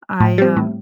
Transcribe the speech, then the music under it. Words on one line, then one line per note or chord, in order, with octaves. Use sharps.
I, um
A2
G3 C4
A2